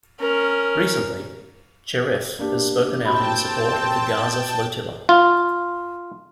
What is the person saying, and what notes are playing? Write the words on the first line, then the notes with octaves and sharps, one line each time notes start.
Recently, Cherif has spoken out in support of the Gaza Flotilla.
C#4 A#4
A#3 D4 G4
C4 F#4 G5 A5 B5
F4